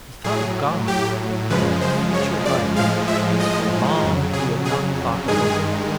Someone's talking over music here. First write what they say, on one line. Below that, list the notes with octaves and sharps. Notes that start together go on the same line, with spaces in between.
He thought of God and of the future life as for long he had not thought about them.
A2 F#3 G#4
G4
F#2 C#3 F3 G#3 B4
C5
C#5
D5
A2 F3 G#3 F5
E5
D#5
F2 C#3 F#3
G#4
G#4
G2 D#3 G#3 G#4